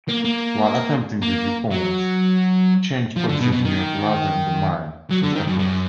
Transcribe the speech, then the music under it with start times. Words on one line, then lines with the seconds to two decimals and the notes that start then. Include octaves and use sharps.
While attempting these reforms, changed policies in Europe largely undermined his efforts.
0.09 A#3
0.25 A#3
1.22 A#3
1.71 F#3
3.16 F3
3.29 D3
3.41 B2
3.52 B2
3.65 D#3
5.10 F#3
5.23 D3
5.35 D#3
5.47 F#2
5.59 F#2